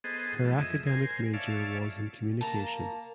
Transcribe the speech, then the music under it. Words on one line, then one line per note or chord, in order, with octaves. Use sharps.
Her academic major was in Communication.
B3 G#4 A4 C5 D#5
E3 F3 A3
F2 G#4 D#5 E5
A#4 C5 G#5
C#5 D5 E5 F5 A5
A#3 A5 A#5